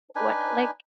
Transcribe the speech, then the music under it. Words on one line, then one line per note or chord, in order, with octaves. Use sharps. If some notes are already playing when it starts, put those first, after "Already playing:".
what like,
D4 D#4 B4 G#5